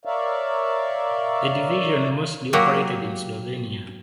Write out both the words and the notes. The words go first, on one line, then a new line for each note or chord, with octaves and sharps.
The division mostly operated in Slovenia.
A#4 C#5 D5 E5 F5
F#3 A#3 G4